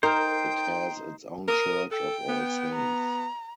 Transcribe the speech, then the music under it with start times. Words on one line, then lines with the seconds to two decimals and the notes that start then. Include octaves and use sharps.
It has its own Church of All Saints.
0.03 D#4 A#4 C5 G5
1.48 A#4 D#6
1.91 A4 G5
2.29 B3
2.75 A#5